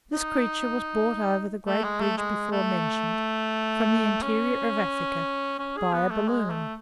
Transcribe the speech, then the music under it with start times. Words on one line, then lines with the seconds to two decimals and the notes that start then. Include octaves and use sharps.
This creature was brought over the great bridge before mentioned, from the interior of Africa, by a balloon.
0.13 D#4
1.66 A3
1.84 G#3
2.01 A3
2.18 G#3
2.52 A3
4.23 C#4
5.59 C#4
5.77 G#4
5.94 B3
6.11 A3
6.28 G#3
6.50 A3